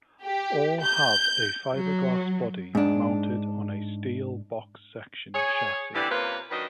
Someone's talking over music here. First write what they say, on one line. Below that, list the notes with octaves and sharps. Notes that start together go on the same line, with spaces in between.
All have a fibreglass body mounted on a steel box-section chassis.
G4
G6
F#3
G#2 D4
G#4 C#5
D3 E3 G3 B3 C4 D5
C3 A#3 C#4 F4 B4
D#3 F#3 D4 B4 D#5